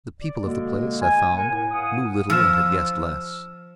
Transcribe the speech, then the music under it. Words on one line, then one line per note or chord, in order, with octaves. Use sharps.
The people of the place, I found, knew little and had guessed less.
D5
B2 D3 G#3 A#3
G#5
A#4 F#5 G#5
A2
F5 F#5 D#6
F3 E6 F6 E7